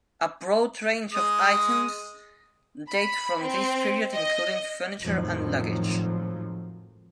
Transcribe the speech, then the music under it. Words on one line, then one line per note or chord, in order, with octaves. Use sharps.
A broad range of items date from this period including furniture and luggage.
G#3 D#6
B5
C4
D#5
G#1 F2 A2 D#3 F3 F#3